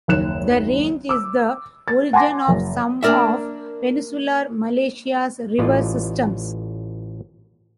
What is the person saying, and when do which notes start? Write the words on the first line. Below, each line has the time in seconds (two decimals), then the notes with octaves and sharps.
The range is the origin of some of Peninsular Malaysia's river systems.
0.08 F#1 D#2 F#6 E7
1.09 D6 E6
1.88 A6
2.13 F#5 G#5 A5 C6 D6 A#6
2.48 F#1
3.03 A#3 D4 A#4 D5 E5
5.58 A1 A2 F4 D5 D#5